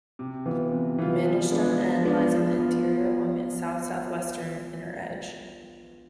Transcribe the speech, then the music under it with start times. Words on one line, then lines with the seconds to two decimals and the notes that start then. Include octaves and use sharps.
Mandel'shtam N lies on the interior along the south-southwestern inner edge.
0.19 C3
0.46 E3 B3 F4
0.72 C3
0.98 E3 B3 F4
1.25 F3
1.51 G#3 B3 D4
1.78 F3
2.04 G#3 B3 D4
2.30 F3
2.57 B3 F4
2.83 F3